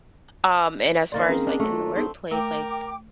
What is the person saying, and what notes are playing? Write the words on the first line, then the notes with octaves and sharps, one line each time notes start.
um, and as far as, like, in the workplace, like,
D#3 A#3 C5 D5 A6
C4 C#4 G#4
D4
F#3 A3
F4
B3 C4 D#4 G#4
A3 A#4 G5 D6